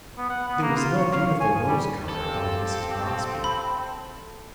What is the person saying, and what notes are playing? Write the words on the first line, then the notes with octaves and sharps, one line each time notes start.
There was no beautiful rose color about Mrs. Grosbeak.
B3
F#5
B3
A#3
F4
C#5
F5
C#5
G#5
G#5
G3
C4 G4 A4 F5
B5